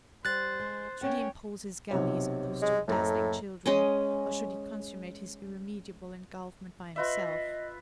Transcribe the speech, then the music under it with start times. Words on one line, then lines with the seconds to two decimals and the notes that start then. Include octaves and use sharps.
Should he impose his galleys on those two dazzling children, or should he consummate his irremediable engulfment by himself?
0.25 G3 C5 F#6 A6
0.60 G#3
1.01 A#3 C#4 C#5 F#5 G5
1.91 B1 C3 C#5
2.62 G#3
2.88 F#1 A2 A4 A#5
3.66 G#3 C#4 D#5
6.96 F4 B4 D#5 E5